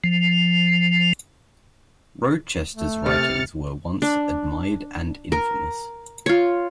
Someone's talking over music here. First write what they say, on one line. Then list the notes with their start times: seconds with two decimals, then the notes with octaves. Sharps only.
Rochester's writings were at once admired and infamous.
0.04 F3
2.74 A3
3.06 C3 F6 A6 C#7
4.02 D4
5.32 A#4
6.26 F4 C#5